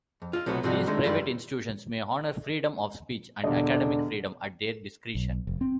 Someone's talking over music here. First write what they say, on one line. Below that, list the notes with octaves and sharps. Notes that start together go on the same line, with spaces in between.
These private institutions may honor freedom of speech and academic freedom at their discretion.
F2
F4 D#5
B1 C3 F#3 A3 B3
G#2 C3 F3 G3 D#4 F#4
D3 D#3 G#3 A3
F#2 D#3 E3 G3 G#3 F4
E1 D3 G4 D#5
B1
F1
C4